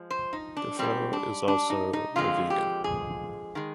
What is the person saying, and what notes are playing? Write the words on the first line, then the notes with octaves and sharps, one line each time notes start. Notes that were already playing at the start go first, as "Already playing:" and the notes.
Defoe is also a vegan.
Already playing: F3 G#3
C5
D#4
D4
G#2 G3 C4
D4
D4
D#4
D#4
F2 D3 F3 G#3 F4
G4
G#4
D#3 G#3